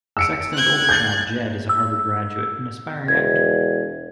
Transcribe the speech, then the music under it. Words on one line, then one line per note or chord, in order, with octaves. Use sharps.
Sexton's older child, Jed, is a Harvard graduate and aspiring actor.
E6 C#7 D7
F#6 G#6
G6 A6
E6
E1 G#6